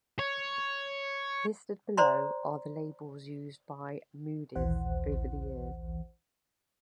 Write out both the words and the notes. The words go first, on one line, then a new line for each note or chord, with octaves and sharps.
Listed below are the labels used by Moodyz over the years.
C#5
C5 D5 A#5 C6
A#1 D#2 E3 C5 F#5